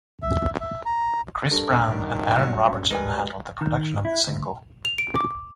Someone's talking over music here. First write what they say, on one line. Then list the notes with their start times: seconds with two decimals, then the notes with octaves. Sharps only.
Chris Brown and Aaron Robertson handled the production of the single.
0.22 E5
0.61 E5
0.85 A#5
1.51 G2 A4 A#4
1.90 F#2 D#3 G3 D4
2.36 A#2 F#3
2.90 D2 G3 G#3 A#4 B4 G#5
3.61 D#3
4.05 E4
4.27 D2
4.85 F7
4.98 D7
5.16 D6